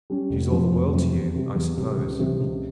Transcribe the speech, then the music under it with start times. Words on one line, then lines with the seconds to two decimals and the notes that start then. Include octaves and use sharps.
"She's all the world to you, I suppose?"
0.10 G3 C#4
0.30 F1
0.50 F2 C3 F3
0.73 F1
0.93 F2 C3 F3
1.14 E2
1.35 C3 G3
1.55 E2
1.77 C3 G3
1.98 C#2
2.19 C3 E3 G3 C4
2.40 C#2